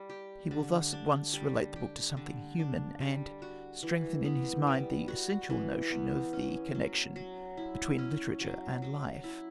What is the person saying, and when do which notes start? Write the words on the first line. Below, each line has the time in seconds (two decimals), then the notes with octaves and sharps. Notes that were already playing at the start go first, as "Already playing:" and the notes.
He will thus at once relate the book to something human, and strengthen in his mind the essential notion of the connection between literature and life.
Already playing: G3
0.10 G4
0.51 D3
0.93 D4
1.33 G3
1.76 G4
2.17 D3
2.59 D4
3.00 G3
3.42 F#4
3.83 E3
4.25 B3
4.67 G3
5.08 F#4
5.50 E3
5.91 B3
6.33 C#4
6.75 F#3
7.16 F#3
7.57 E4
7.98 C#4
8.41 F#3
8.82 F#3
9.24 E4